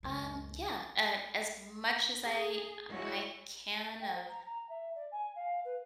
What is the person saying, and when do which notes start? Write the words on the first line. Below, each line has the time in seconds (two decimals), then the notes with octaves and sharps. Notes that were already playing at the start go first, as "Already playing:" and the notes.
Um, yeah, uh, as much as I, uh, I can of
0.03 C#2 F#2
2.23 G#4
2.89 G#3 E4 F#4 C#5
4.01 G5
4.14 C5
4.29 A#5
4.46 A#5
4.69 E5
4.95 D5
5.12 G#5
5.36 F5
5.65 B4